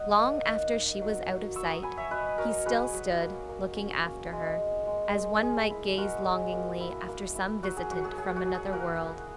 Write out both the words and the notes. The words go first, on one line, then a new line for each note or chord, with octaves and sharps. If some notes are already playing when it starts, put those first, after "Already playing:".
Long after she was out of sight he still stood looking after her, as one might gaze longingly after some visitant from another world.
Already playing: D#5 F#5
A#3
D#4
D#4
F#3
F#3
F#3 C#6 E6
D#6
A#5 C#6
F#3 G#5 B5
C#5 E5
F#3 B4 D#5
F#3 A#4 C#5
F#3 G#4 B4
F#3
A#3
A#3
C#4
A#3
G#3
G#3
G#3
G#3
G#3 G#4
E4
G#3 F#4 A#4
G#3
A#3
E4
A#3
E4
F#3 F#4
G#4
F#3 F#4
G#4
F#3 G#4
F#4
F#3
G#4
A#3 F#4 A#4
E4